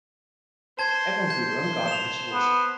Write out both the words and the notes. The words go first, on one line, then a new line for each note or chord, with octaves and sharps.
Everyone grew their own garden vegetables.
C5 A5 G#6
G6
E7 F7
B3